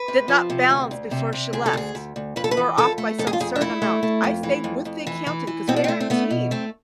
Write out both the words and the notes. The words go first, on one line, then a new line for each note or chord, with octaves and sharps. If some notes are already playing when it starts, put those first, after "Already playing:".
did not balance before she left. We're off by some certain amount. I stayed with the accountant 'cause we are a team.
Already playing: B4
C3
F3
C3
D2
D2
C3
C3
D2 G#4
A4
D2 G#4
D2
D2
F2 B4
A4
B4
E3
F2 A4
A3
F2 A4
G#4
F4
F2 G#4
D4
A3 E4
A3
A3
F2
E3
F2
F2
E3
E3
E3
B2 C4
D4
C4
A3
C4
A3 B3
B2
A3 C4